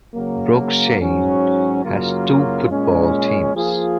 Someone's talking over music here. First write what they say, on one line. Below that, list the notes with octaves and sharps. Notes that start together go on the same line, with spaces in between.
Broughshane has two football teams.
C#3 F#3 A#3
G#2 F#3 C#4 F#4
F#2 C#3 F#3 A#3 F4
A#2 G#3 C#4
F3 A#3 F4 G#4